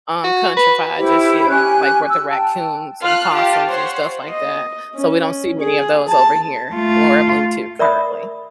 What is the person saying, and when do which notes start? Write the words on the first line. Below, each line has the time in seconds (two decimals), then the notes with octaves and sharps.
um, countryfied just yet, like, where the raccoons and possums and stuff like that, so we don't see many of those over here where I've moved to currently,
0.24 F#4
0.57 B4
0.97 E4 G4 C5
1.49 C#4 G4 G#5 F#6
2.08 E6
2.30 G5 A5
3.01 F4 F6 F#6
3.33 F4 G4 A5
3.68 C5 C#5 F#5 C6
4.30 D#5
4.96 C#4
5.60 G#4
6.08 A5
6.73 A3 F4
7.79 A#4 D5 E5 B5 D#6